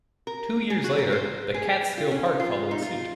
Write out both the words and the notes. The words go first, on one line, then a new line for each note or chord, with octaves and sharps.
Two years later, the Catskill Park followed suit.
A#4
G#4
F#4
A#4
C5
G#4
F4
C#4
D#4
F4
D#4
F4